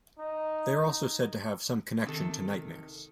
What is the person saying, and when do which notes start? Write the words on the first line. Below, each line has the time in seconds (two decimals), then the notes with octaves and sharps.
They are also said to have some connection to nightmares.
0.19 D#4
2.05 C3 D#3 A4